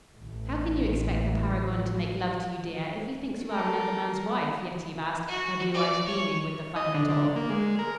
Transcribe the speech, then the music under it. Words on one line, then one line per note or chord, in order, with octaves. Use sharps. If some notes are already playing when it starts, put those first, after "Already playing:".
"How can you expect the paragon to make love to you, dear, if he thinks you are another man's wife?" Yetive asked, her blue eyes beaming with the fun of it all.
A1 A2
A4 A#4
F#4
D5
C#5
D#5
D3
D3
A#3
G#3
A#4